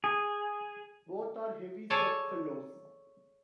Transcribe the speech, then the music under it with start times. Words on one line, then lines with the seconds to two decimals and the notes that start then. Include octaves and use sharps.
Both are heavy set fellows.
0.04 G#4
1.90 G#4 A4 C#5 D5 G#5 A5